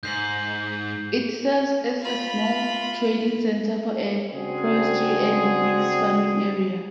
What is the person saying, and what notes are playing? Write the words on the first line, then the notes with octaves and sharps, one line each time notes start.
It serves as a small trading centre for a forestry and mix farming area.
G#2 G6 C7 F#7
F4 B5
C#3 C4 D4 F#4 G#4